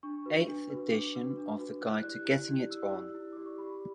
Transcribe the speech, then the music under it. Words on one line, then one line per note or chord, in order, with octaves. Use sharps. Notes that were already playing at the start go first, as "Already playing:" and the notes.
The Eighth edition of the Guide To Getting It On!
D4 C#6
F#4 B4
D4
F#4 B4
D4 D6
F#4 B4
D4
F#4 B4
E4 F#6
G4 D5 F#6
E4
G4 D5
E4 E6
G4 D5
E4
G4 D5 D6
C#6
G4 B5